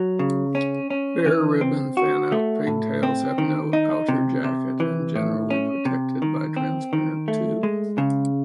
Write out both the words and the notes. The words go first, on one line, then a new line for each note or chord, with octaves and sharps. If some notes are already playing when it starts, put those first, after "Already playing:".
Bare ribbon fanout pigtails have no outer jacket and generally protected by transparent tube.
Already playing: F#3
C#3
C#4
C#4
E3
C4
F#4
A3
A2
C4
D#3
D#4
C3
C3
E3
A2
C#4
C3
D#3
C4
D#3
A3
G#3
C#3